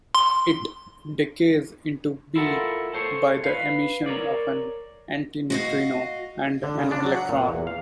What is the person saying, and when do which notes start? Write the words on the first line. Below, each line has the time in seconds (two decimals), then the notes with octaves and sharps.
It decays into Be by the emission of an antineutrino and an electron.
0.15 C6
2.36 E4 F4 A4 A#4 F#5
2.93 A4 C5 C#5
3.44 B4 F5
4.06 A#4 B4 C#5 D5
5.50 F#4 D#5 F5
6.63 D3
6.79 C#3
6.92 D4
7.05 F#3
7.16 F#5
7.29 A#2
7.49 E2
7.67 F5